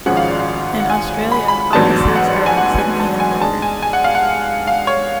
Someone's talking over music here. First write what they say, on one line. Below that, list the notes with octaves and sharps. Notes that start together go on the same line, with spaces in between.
In Australia offices are in Sydney and Melbourne.
G#1 G#2 F3 G#3 C#4 F#5
F5
D5
F5
F#5
G#5
B5
B5
A1 G#2 F#3 B3 D4 A5
F#5
G#5
F#5
G#5
A5
G#5
G#2 G#3 D4 A5
G#5
G#5
F#5
F5
F#5
F5
C#5